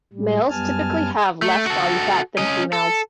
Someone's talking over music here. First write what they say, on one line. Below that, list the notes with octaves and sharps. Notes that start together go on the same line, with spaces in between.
Males typically have less body fat than females.
A2 G3
F#2 G3 B3 G#5 A5 F6
A3
F#4 A4
C#4 D#5
A4